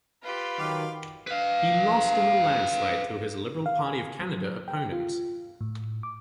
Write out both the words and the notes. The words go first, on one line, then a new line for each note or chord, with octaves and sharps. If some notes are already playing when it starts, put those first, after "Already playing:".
He lost in a landslide to his Liberal Party of Canada opponent.
F4 G4 B4
D#3 F#3 F5 G5 D6
B4 F5
F5
G#5
F#3
G5
F4
A2
D6